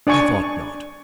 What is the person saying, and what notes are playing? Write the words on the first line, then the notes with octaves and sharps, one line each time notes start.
I thought not.
D4 D5 G#5 C#6